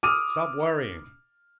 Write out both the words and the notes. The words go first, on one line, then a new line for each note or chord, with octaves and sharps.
"Stop worrying!"
D6 D#6 F6 D#7